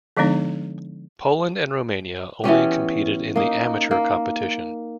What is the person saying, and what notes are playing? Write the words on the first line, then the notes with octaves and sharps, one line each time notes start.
Poland and Romania only competed in the amateur competition.
D3 F3 G#3 B3 D4 D#4
E3 B3 C#4 G4
A#3 D#4
A#3